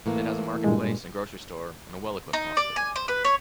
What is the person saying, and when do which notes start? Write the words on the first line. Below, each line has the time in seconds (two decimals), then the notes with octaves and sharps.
It has a market place and grocery store, and a well-equipped hospital.
0.06 A2 E3 A#3
0.64 G2 A#2 G#3
2.33 D#4
2.57 D5
2.76 G#5
2.96 C5
3.08 B4
3.25 C#5